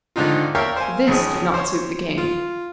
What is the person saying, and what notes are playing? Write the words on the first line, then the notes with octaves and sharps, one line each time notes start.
This did not suit the king.
G#2 D3 D#3 D4 D#4 F4
A#4 C#5 D5 E5 F5 G5
C5 F5 G#5
G#1 C#2 C#4 G#4
C5 C#5
F4